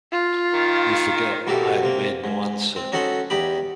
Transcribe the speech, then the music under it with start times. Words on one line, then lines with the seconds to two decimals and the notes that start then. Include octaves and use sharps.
You forget that I have made no answer.
0.12 F4
0.54 D#3
1.47 B2 A#3 F#4 G4 A4
1.83 C3 A#3
2.24 G#2
2.76 C4
2.92 C#4 D#4 F#4 A4 F#5 C6
3.30 E2 D#4 G4 B5